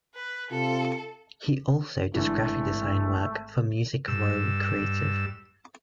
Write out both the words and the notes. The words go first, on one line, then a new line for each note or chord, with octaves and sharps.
He also does graphic design work for Music Row Creative.
B4
C3 F4 A4
G#1 D3 E3 G#3 A3
G2 E6